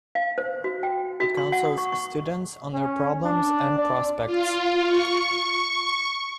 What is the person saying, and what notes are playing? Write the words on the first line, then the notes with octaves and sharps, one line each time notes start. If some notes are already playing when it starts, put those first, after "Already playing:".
It counsels students on their problems and prospects.
F5
C5
F#4
G5
F#4
C6
F#5
D#6
C#6
C#6
C#4
D4
D5
F4
C#6